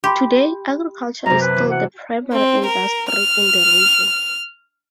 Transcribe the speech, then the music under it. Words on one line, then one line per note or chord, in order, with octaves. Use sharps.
Today, agriculture is still the primary industry in the region.
G4 B5 C6 D6
F#2 C3 A#5
B4
E3
F#5
C4
A#4
F6